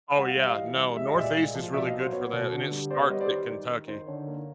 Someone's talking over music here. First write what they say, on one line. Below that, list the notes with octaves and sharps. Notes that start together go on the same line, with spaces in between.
Oh, yeah. No, Northeast is really good for that, and it starts at Kentucky.
G3 F#5
F5
G3 E5
D#5 F5
E3
G3
G#3 E5
D#5
A#2 D5 E5
G#3
F3
B2 D5 E5
D#5 F5
F#3
C5
B3 C#5
B2
D3
G3
B3 C5 D5
G3 C#5 D#5
C5 D5
D#3
D#3
D#3
D#3 C5
D3 C#5
A#3